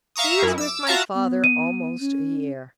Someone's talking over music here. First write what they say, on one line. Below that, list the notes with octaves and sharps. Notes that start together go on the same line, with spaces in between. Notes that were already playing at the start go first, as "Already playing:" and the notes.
He was with my father almost a year.
E5 F5 A#5 C#6 D#6
F#2 E4
D6 E6
F4 F#4 E5 F5 A5 A#5
B3
D#7
C#4